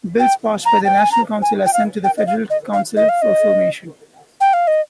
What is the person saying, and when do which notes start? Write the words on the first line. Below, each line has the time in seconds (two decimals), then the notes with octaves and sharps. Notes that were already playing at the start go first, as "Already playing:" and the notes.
Bills passed by the National Council are sent to the Federal Council for affirmation.
0.19 G5
0.66 A#5
0.85 G5
0.99 G#5
1.12 A#5
1.42 G#5
1.66 G5
1.74 F5
2.04 G5
2.18 D#5
2.27 F5
2.50 D#5
2.73 F5
2.96 D#5
3.09 F5
3.22 D#5
4.41 G5
4.53 F5
4.68 D#5